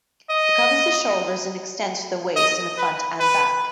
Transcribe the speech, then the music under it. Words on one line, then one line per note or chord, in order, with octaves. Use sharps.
It covers the shoulders and extends to the waist in the front and back.
D#5
D#5
B4
B4